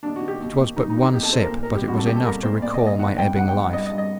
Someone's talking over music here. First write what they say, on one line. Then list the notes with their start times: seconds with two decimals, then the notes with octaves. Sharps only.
It was but one sip but it was enough to recall my ebbing life.
0.03 D#2 D4
0.16 F#4
0.21 D#3
0.28 G4
0.40 D#2
0.59 D#2
0.77 D#3 D#4
0.90 D#4
0.95 D#3
1.02 D#4
1.14 D#2 G4
1.23 A4
1.33 D#3 C5
1.42 A#4
1.51 A#2
1.63 A#4
1.70 C2
1.75 G4
1.88 C2 F#4
1.97 A4
2.06 A#2 G4
2.16 A4
2.25 C2 A#4
2.43 A#2 C5
2.62 A#2 D5
2.74 D#5
2.80 A#2
2.87 D#5
2.99 D#3 F#5
3.17 G2 G5
3.36 G2 F#5
3.49 G5
3.55 G2
3.61 F#5
3.73 G2 D#5
3.86 D#5
3.92 G2
3.98 D#5